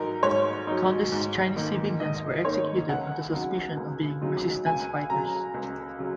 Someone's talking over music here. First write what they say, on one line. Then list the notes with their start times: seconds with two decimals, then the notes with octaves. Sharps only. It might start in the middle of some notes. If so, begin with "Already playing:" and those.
Countless Chinese civilians were executed on the suspicion of being resistance fighters.
Already playing: G#2 F#3 D#4 A#4
0.23 G#2 C#5
0.67 F#3 D#4
1.12 G#2
1.56 D#3 A#3 D#4
2.00 G#2 D#5
2.44 D#3 A#3 D#4 C#5
2.89 C#2 F#5
3.33 C#3 F#3 D#4
3.77 C#2
4.22 C#3 F#3 D#4
4.66 C#2 G#5
5.10 C#3 F#3 A#5
5.54 C#2
5.99 C#3 F#3